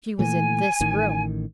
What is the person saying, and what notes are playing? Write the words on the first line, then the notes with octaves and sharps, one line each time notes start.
She was in this room.
A#2 E3 A3 G#5
A1 A2 D#3